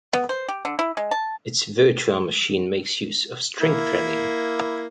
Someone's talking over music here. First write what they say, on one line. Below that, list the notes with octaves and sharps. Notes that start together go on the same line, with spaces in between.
Its virtual machine makes use of string threading.
B3
C5
G4
D3
E4
G#3
A5
A#3 E4